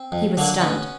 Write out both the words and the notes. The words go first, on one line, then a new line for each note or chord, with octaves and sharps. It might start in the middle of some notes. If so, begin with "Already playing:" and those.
He was stunned.
Already playing: C4
F2
D3 F#3 A#3
A1 B3 C#4